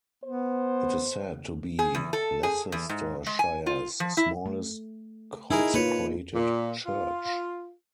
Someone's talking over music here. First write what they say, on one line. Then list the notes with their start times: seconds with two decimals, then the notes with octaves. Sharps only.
It is said to be Leicestershire's smallest consecrated church.
0.24 B3 C5
1.79 G#4
1.95 E2
2.13 A4
2.43 G#4
2.72 E2
2.89 G#2
3.26 G#3
3.39 G#5
3.66 F4
4.00 F3
4.17 E4
4.46 A3
5.51 D#4 E4 G#4 A#4
5.74 A#3 F4 B4 C#5
6.35 A#2
6.86 F4